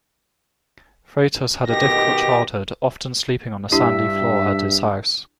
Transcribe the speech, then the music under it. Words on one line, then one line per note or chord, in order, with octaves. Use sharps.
Freitas had a difficult childhood, often sleeping on a sandy floor at his house.
B2 D#3 G4 A#6
G2 D4 E4 G4 E5